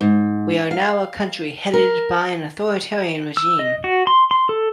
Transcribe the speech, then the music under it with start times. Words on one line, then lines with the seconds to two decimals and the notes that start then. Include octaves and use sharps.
We are now a country headed by an authoritarian regime.
0.01 G#2
0.71 F5
1.74 A#4
3.37 E6
3.59 D#5
3.84 F#4
4.07 C6
4.31 C6
4.49 A4